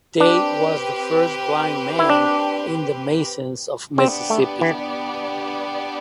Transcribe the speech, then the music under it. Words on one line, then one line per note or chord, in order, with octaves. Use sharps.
Day was the first blind man in the Masons of Mississippi.
C4 D4 G4 B4
E4
D4
B3 C4 D4 G4 D5
A3
E3